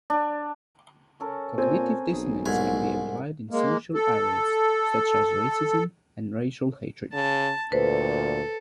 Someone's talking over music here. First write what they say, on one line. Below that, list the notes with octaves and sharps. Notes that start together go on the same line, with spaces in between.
Cognitive dissonance can be applied in social areas such as racism and racial hatred.
D4
C#4 A4 A#4
A#2 C4 G#5
B1 G#4
C2 G#2 G#5
G#3 A#3
A4
C#3 A5
D2 A#2 A4 B4 C5